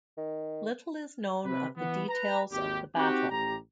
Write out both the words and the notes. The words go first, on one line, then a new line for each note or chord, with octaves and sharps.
Little is known of the details of the battle.
D#3
C3 B4
E3 B3
B4 A#5
G#1 D#2 G4
C4 D#4 F#4 G4
A1 G4 A#5